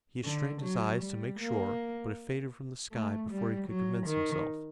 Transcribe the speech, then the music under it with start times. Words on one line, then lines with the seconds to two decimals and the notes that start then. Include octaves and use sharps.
He had strained his eyes to make sure, but it faded from the sky before he could convince himself.
0.24 D3
0.62 F#3
1.01 G3
1.40 A#3
2.92 A3
3.31 G3
3.69 F#3
4.07 D#3